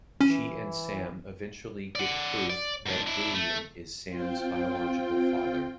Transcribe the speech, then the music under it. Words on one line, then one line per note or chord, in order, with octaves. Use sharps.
She and Sam eventually get proof that Julian is Sam's biological father.
E3 C#4
D5 F#5
D5
G#2 D4
D4 E4
A3
C4 F4 G5